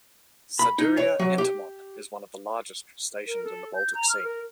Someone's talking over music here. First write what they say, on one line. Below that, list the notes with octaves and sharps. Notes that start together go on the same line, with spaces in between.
"Saduria entomon" is one of the largest crustaceans in the Baltic Sea.
B5
D#4
C#5
F#3
G4
A#4
A4
G6
A#5
F6
A#4